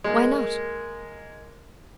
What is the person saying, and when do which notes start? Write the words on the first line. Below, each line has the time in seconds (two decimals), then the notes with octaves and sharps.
"Why not?"
0.04 G#3 A#3